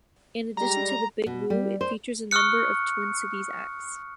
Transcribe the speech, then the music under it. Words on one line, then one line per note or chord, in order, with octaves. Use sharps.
In addition to the Big Wu it features a number of Twin Cities acts.
G3 G#3 A#5
B2
G3
C5
C#6 D#6 F6 F#6 C#7